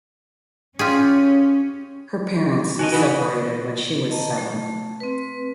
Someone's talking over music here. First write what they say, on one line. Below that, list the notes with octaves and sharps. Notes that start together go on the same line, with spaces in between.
Her parents separated when she was seven.
C#4 F4 G4 G#4
D#4 F#4 A#4 D#5 G#5
B2 E3 F#4 B4
D#5 A5 A#5
A3
C4 B4